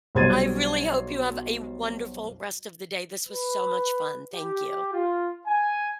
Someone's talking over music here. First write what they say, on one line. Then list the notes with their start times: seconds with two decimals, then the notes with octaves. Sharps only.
I really hope you have a wonderful rest of the day. This was so much fun, thank you.
0.15 B1 G3 C5 G#6 A6 D#7
3.28 B4
4.34 G4
4.93 F4
5.47 G#5